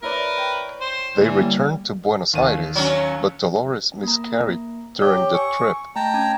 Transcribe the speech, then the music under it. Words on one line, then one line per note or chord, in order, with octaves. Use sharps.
They returned to Buenos Aires, but Dolores miscarried during the trip.
E4 A#4 B4 C#5 D5
G5
C5
D3 E3 A#3 D4
G3 A#3 C#5
D#2 D#7
F#3 C#4
A#3 A#5
G4 C#5
G#5 C#6 E6
A3 G5 A5 A#5
C#4 G#6